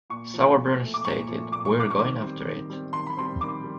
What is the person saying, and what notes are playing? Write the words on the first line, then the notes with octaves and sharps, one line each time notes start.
Sauerbrun stated, We're going after it.
A#2 C#6
F3 A3
A#2
F3 A3
D6
A#2 C#6
F3 A3
A#2 D6
C#6
F3 A3 D6
C#6
D#3 D6
G3 C4
D#3
G3 C4
D#3 C6
B5
G3 C4 C6
D#3 D6
G3